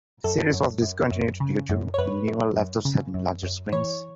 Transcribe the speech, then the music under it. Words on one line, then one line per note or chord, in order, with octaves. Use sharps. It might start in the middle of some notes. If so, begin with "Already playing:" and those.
The series was discontinued due to newer laptops having larger screens.
F#2 A4
F#2
F#2
F#2
C#3
F#2
C#5
F#2 B4
F#2
F#2
C#3
F#2
F#2
E3 C#5